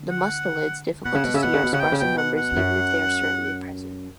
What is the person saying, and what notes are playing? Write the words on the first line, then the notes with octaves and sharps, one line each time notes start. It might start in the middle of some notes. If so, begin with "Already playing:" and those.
The mustelids, difficult to see are sparse in numbers even if they are certainly present.
Already playing: D3
F#5
B2 F#5
C#3
B2
C#3 E5
B2 F#5
C#3
B2
C#3 F#5
B2 G5
C#3
B2 G5
F#5
F#5
E2
F#2